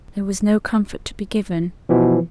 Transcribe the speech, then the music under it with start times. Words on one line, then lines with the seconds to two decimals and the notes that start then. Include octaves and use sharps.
There was no comfort to be given.
1.89 B2 E3 F3